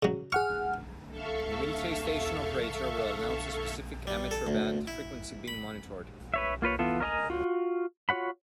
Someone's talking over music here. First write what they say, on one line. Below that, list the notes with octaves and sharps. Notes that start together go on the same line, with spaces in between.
The military station operator will announce the specific amateur-band frequency being monitored.
C#3 F#3
G#4 F#5 C#6 F6
A4 E5 F5 C#6
G3
A4
D2
E4
B5
B4 C#5 E5
A#3 F4 B4 C#5
E3 B3 F4 A4
A#4 C#5 D#5 G#5 A#5
F4 F#4
F4 F#4 C#5 F#5 B5